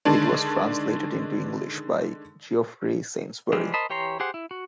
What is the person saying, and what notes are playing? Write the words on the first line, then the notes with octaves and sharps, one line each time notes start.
It was translated into English by Geoffrey Sainsbury.
D3 D#3 G#3 D4
E3 F3 G3 G#3
A#4 C5 D#5 A5 B5
E3 G4 C#5 A#5 C6
G4 G#4 C5 F#5
E4
F#4